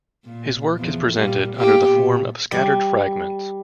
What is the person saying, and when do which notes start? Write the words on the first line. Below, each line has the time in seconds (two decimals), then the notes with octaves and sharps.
His work is presented under the form of scattered fragments.
0.24 A#2
0.77 E2 F3
1.10 A#2 G3 A#3
1.56 A#3 B3 G4
1.90 A#2
2.52 G3